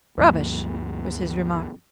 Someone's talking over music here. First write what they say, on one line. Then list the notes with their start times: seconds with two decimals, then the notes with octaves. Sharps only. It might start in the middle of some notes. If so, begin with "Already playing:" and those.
"Rubbish," was his remark.
0.18 D2 G2 F3 A#3